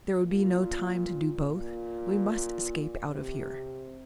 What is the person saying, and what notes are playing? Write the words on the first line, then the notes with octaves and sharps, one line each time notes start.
There would be no time to do both: we must escape out of here.
A#2
A#2
C3